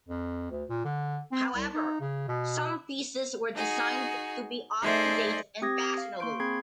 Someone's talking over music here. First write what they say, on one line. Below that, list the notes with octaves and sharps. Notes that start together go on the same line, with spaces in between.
However, some pieces were designed to be up to date and fashionable.
F2
D2
A#2
D3
C4
C2
D#4
C#3
B2
D#4 F#4 G#4
A3 D#4 G#4 C5 D5 E5
C4 G4 D#6 G#6 A#6
F5
A#3 C6 C#6 G6 D7
C4 G#4 B5 G#6 C7